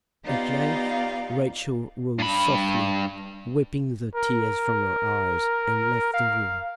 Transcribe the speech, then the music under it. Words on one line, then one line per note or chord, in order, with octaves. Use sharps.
At length Rachel rose softly, wiping the tears from her eyes, and left the room.
B3 D#4 F4 G4 D5 F5
G2 B5
A#4
F5